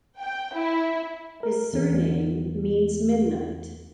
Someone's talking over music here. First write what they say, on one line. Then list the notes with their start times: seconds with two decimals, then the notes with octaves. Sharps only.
His surname means "midnight".
0.20 G5
0.55 E4
1.43 A#4
1.73 E2